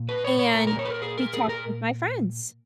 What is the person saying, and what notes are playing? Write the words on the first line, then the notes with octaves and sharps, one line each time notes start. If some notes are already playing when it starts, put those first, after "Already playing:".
And be talking with my friends
Already playing: A#2
B4
C#5
C#5
A#2 A#4
A#4
C#5
B4
A#4
G#4
A#4
G#4
A#4